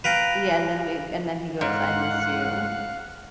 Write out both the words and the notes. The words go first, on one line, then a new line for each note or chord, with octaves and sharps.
yeah, and then we and then he goes, "I miss you,
B4 F5 G5 A#5
G#2 F5 F#5 F#6